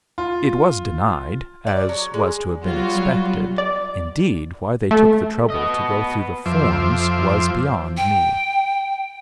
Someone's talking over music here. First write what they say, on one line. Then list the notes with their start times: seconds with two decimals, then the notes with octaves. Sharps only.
It was denied, as was to have been expected; indeed, why they took the trouble to go through the forms was beyond me.
0.18 F4
1.67 D5
1.89 F#3
2.14 G#3
2.65 F#3 G3 B3 F4 F#4
3.58 D5
4.91 A3
5.50 B3 D#5
6.46 F2 F3 C5 E5 D6
7.97 G5